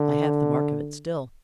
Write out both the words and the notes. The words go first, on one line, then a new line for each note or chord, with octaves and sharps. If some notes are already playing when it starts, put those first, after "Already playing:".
I have the mark of it still.
Already playing: D3